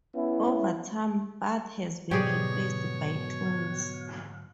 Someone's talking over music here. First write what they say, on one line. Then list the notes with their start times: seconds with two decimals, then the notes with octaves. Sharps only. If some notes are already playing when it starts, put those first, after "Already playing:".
Over time, Bud has been replaced by clones.
0.15 B3 C#4 E4
2.11 G#2 B2 D3 F#3 G4 G#4 C#5 D5